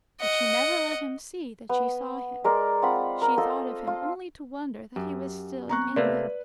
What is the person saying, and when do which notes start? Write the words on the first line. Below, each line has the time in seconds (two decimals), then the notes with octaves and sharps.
But she never let him see that she saw him; she thought of him only to wonder that he was still in England.
0.20 D#5 F#5
1.69 B3
2.44 G#3 A#4 D5
2.82 C4 F4 F#5 B5
3.22 A#4
3.38 F4 A4 C5 D#5
3.87 F4
4.96 F#2 G4
5.69 B3 C4 A#5 C#6 F#6
5.96 C3 A3 A#3 B4 D5